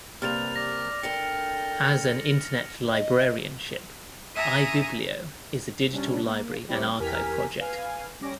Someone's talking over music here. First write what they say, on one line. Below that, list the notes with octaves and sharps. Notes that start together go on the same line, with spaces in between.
As an "Internet librarianship," ibiblio is a digital library and archive project.
C3 G3 A#3 B4 F6 A6 F7
D5 A#6
D3 A4 A#4 G5 C#7 F7 G7
D#5
E5 G#5 A#5 C#6 D#6
C3 G3 C#4 D4
A#3
G3 A#3 C4 E4 G4 C#5
E2 G4 A#4 G#5 F6 B6
B4 F5 G#5
G3 C#4 D6 A#6